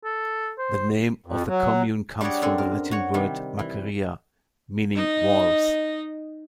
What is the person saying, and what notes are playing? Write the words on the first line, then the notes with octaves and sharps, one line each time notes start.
The name of the commune comes from the Latin word: "maceria", meaning walls.
A4
C5
F2
F#3
G3 D4 F#4 G#4 C#5 D5
F#2 C4 D4 A4 G#5
A#4
F#4 C#5
C3 D#3 G3
E3
D#4 D#5